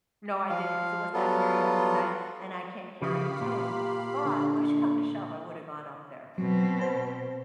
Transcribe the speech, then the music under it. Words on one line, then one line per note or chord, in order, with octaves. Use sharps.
No, I didn't 'cause it was not karaoke night, and I can't carry a tune, but push come to shove, I woulda gone up there.
F3 F5
F#3 G3 B3 F4 A4
C#3 F3 G4 F5 B5
A#2
D3
B2 F#3 C4
C5